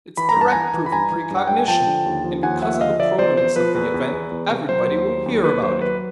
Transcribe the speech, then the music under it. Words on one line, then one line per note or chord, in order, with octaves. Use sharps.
It's direct proof of precognition, and because of the prominence of the event, everybody will hear about it.
E3 B5
A#5
G2 A5
E3 G#5 A#5
E3
B5
G2 G#5 A#5
E3
G2
F#5
G2 G5
G#5
F3 G5 A5
D3
D#2
F3
D#2 F#5 G#5
F3 E5 F#5
E5
D3 D#5 F5
F3 D5 E5
E2 C5 D5
E2 C5
F3 B4
E2 B4
E2
E2
E2
C3
F#3 C5
D#2
F#3
D#2
D#2 B4
F#3 C5
F#3 B4